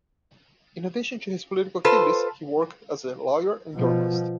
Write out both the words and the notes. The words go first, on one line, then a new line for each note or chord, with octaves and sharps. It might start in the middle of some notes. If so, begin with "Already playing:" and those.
In addition to his political activities, he worked as a lawyer and journalist.
F4 A4 B4 C5
B2 F3